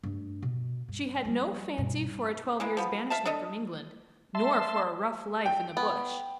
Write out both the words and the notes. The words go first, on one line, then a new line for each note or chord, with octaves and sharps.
She had no fancy for a twelve years' banishment from England, nor for a rough life in the bush.
G2 A3
B2
G2
F3 G3
G2 B2
E3 G#3 A#3
F3 B3
E5 F5 A5
D4 A4 D#5
E5 A5 C6
G5
B3